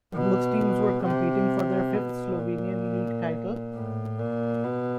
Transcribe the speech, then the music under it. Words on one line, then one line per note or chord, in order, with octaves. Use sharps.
Both teams were competing for their fifth Slovenian League title.
B2
C3
B2
A#2
A2
A#2
B2